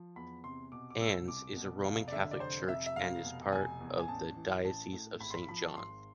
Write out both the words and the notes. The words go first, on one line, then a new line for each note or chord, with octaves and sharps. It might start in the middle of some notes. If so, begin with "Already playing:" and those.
Ann’s is a roman catholic church and is part of the diocese of Saint-John.
Already playing: F3
E2 B5
C3 C6
B2 D6
D6
C2 E6
C2 D6
B2
F1 F5
D5
D3 E5
D5
F1 C5
F2 E5
E5
F1 F5
B2
F1 G#5
E2
G#5
A1 A5
E3
A1 A5
A2
G#1 B5
C6
B5
F3 B5
A5
G#1 C6